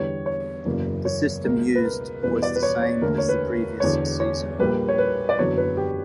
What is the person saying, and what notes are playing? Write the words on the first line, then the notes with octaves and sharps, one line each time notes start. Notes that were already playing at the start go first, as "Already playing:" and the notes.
The system used was the same as the previous season.
Already playing: E2 D3 G3 B3 C#5
C#5
F#1 E2 C#3 F#3 A#3
C#5
C#2 B2 A#3 A#4
B4
A#4
E2 B2 G3 B3 B4
D5
B4
C#5
C#5
E1 D2 D3 A#3 A#4
C#5
B4
E1 E2 D3 C#5
C#5
A#1 A#2 G3 A#3 B4
C#5
B4
D5
F#1 E2 D3 F#3 B3 C#5
B4
G4